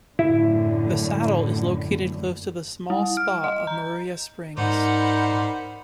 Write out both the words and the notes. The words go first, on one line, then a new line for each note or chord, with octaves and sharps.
The saddle is located close to the small spa of Maruia Springs.
F#2 A2 D3 E4
G3
F6
D#5
A#5
G#2 D#4 A#4 C5 D5 F#5 B5